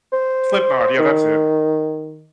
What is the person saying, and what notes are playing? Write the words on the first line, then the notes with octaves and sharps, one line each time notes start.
Slipknot, yeah, that's it.
C5
D#3